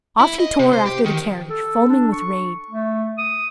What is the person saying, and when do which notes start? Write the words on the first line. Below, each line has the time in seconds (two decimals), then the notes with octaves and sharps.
Off he tore after the carriage, foaming with rage.
0.21 E4
0.40 D#5
0.59 C3
0.73 C5
0.86 G4
1.06 D#3
1.50 A4
1.89 D4
2.12 C#6
2.71 A3
3.18 D#6